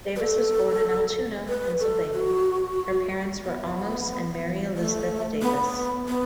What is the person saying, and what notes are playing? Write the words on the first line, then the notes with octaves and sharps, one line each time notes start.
Davis was born in Altoona, Pennsylvania; her parents were Amos and Mary Elizabeth Davis.
B4
A4
B4
A4
F#4
B3
A3
B3
B3